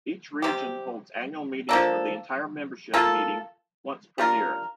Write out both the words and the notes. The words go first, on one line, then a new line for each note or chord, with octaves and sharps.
Each region holds annual meetings with the entire membership meeting once per year.
C3 G3 C4 G4
F3 A#3 D4 A4
A#3 F4 A4
G3 D4 F4 A#4